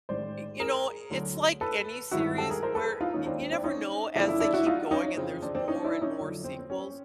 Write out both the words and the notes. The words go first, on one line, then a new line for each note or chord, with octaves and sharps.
you know, it's like any series where y you never know, as they keep going and there's more and more sequels,
A1 G#2 D#3 G#3 C4 C5 D5
G#4 A#4
D2 D3 F#3 A3
A4 B4
G2 D#3 G#3 C4 E4 F#4
G4 A4
G#4 A#4
A#4 C5
A4 B4
D#4 F4
D#2 D#3 G#3 C#4 D#4
C4 D4
C4
C4 D4
C#4 D#4
E2 C#3 F3 A3 C4 D4 E4
D4 E4
D4 E4
E4 F#4
D#4 F4
C#4 D#4
F2 C#3 E3 C4
C4 D4
C4 D4
C#4 D#4
D4 E4
C#4 D#4
F2 D3 F#3
C4
C4
C#4